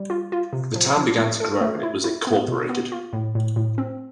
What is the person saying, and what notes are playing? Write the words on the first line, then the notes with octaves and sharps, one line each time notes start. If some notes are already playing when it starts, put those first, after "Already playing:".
The town began to grow and it was incorporated.
Already playing: G3
F4
F4
C3
F3
F3
A3
A4
A3
E4
E4
B3
B2
B3
F4
A2
A2
A2
C4